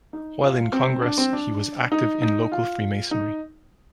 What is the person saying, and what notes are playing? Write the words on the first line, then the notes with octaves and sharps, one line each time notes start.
While in Congress, he was active in local Freemasonry.
D#4
F4
C4
D4
C4
D4
D#4
D#4
F4
D#4